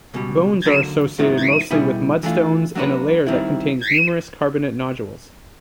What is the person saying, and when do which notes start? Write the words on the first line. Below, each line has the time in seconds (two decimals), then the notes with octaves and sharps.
Bones are associated mostly with mudstones and a layer that contains numerous carbonate nodules.
0.14 C#2 B2 G3
0.65 D#2 D3 F#3
1.18 G#2 D#3 F#3 B3 E4
1.71 B2 G3 B3 E4 G#4
2.23 E3 A3 D4 F4
2.75 F#3 A#3 D4 F#4 B4
3.27 D#3 G3 C4 E4